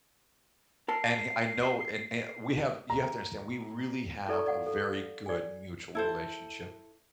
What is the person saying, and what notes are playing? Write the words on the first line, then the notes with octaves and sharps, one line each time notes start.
and he I know and and we have you have to understand, we really have a very good mutual relationship,
A#4 A5 C7
A#5
E4 A4 D5 A5 A#5 C#6
D5 F5 F#5
A4
D5 G#5
E4 A4 C5